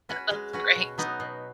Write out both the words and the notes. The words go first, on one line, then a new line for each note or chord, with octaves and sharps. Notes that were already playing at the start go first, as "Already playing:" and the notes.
That's great.
C#4 F#4 B4
G#3
C#4 F#4 B4
B2
F#3 B3 D#4
B2